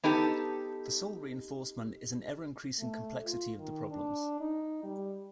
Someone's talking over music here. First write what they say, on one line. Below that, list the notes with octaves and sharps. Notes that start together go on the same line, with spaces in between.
The sole reinforcement is an ever-increasing complexity of the problems.
B3 D#4 G4 A4
A3
F4
D#3
D4
D#4
G3